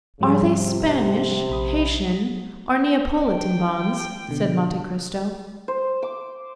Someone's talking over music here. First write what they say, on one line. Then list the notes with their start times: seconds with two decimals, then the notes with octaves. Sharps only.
"Are they Spanish, Haitian, or Neapolitan bonds?" said Monte Cristo.
0.20 G#2 C#3 F3 G3
0.53 C3
1.50 A#1 B5 D#6
3.26 G5
4.28 B2 D3
5.68 C5
6.02 D6